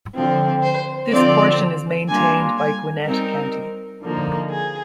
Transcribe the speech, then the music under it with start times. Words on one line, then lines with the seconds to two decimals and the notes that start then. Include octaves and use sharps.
This portion is maintained by Gwinnett County.
0.15 D3 F3 C4
0.63 C5
1.11 D3 F3 C4 F4 D5
2.08 G3 A#3 D4 F4 G#5
2.57 G#5
3.05 G3 C4 D#4 A#4
4.02 D3 F3 A#3 D#4
4.51 G#4